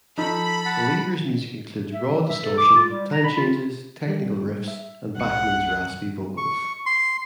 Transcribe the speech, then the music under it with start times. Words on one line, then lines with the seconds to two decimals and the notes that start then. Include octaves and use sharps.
Believer's music includes raw distortion, time changes, technical riffs and Bachman's raspy vocals.
0.18 F3 D#4 A4 B5
0.65 F#5 A5
1.94 E5
2.09 F#3
2.28 E5
2.44 A4
2.58 D6
2.75 F4
2.89 G3
3.12 A#5
3.24 B5
3.37 F4
4.08 G3 G4
4.68 E5
5.18 C2 F#5 C#7
6.37 C#6
6.86 C6